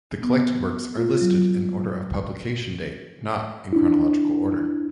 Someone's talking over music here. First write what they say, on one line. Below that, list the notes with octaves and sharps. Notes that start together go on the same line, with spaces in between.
The collected works are listed in order of publication date, not in chronological order.
B3
F4
F#3
D4 E4